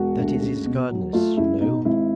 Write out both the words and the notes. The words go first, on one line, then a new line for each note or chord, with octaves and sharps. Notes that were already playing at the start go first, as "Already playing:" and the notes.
That is his Godness, you know.
Already playing: E1 F#4
D2
C#2
B2
F#3
A3 F4
C#2 E4
B2 D#4
G#1 E4